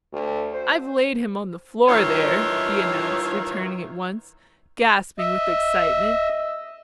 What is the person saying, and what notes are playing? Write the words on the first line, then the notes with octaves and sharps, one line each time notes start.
"I've laid him on the floor, there," he announced, returning at once, gasping with excitement.
D2
C5
G2 D#3 E3 F4 C#5 E5
D#5 E5